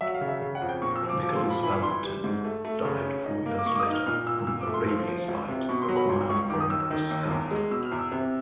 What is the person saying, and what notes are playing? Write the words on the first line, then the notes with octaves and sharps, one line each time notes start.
Nicholas Valentin died four years later from a rabies bite acquired from a skunk.
F#3 E5
F5
C#3
E5
C#3
F#5
F2
G5
A#2 C#6
E6
F3
D6
F3 D6
C6
A#2
B5
E3 B5
E3 C6
G3
G#2
A3
A3
C#3
C#4
D#4
A#3
D6
A#3 C#6
D6
D#6
D#4
F6
A#2 F6
A#2 E6
A#2 E6
D6
A3
C6
F3 C6
F3
C#2
C3
B2 C#6
C6
F#3
B5
C#2 C6
C#2 C#6
D#3 D6
D#6
D#2 E6
E6
D#3
D#2
E2
G#3
B2 E6
F6
E2
E6
C3